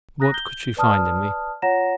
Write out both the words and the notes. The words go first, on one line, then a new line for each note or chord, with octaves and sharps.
What could she find in me?
A#5 D#6 F#6 A#6
G6 G7
B4 D5 A5 D#6 F6
F4 C#5 F#5 A#5 A#6 E7